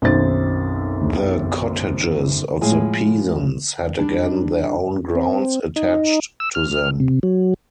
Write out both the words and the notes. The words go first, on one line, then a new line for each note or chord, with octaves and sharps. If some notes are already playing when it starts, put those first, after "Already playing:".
The cottages of the peasants had again their own grounds attached to them.
B1 F#2 D#3 C4 C5 A6
A2 F3 G#3 E4 G#5
G3 D4
C4
D#4
E6
F6
C3
F#3